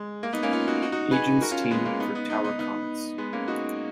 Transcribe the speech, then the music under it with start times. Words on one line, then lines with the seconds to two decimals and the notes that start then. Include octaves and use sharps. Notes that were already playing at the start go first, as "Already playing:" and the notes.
Agents team for Tower Comics.
Already playing: G#3
0.23 A#3
0.33 B3 D#4
0.43 A#3 C#4
0.53 C#4 F4
0.68 D#4 F#4
0.82 D#4 F#4
0.92 D#4 F#4
1.11 G#4 B4
1.41 F#4 A#4
1.51 C#4 F4
1.64 C#4
1.71 G#3 B3
1.85 A#3 C#4
2.00 B3 D#4
2.15 B3 D#4
2.29 B3 D#4
2.44 B3 D#4
2.59 B3 D#4
3.18 G#3 B3
3.33 A#3 C#4
3.48 D#4 F#4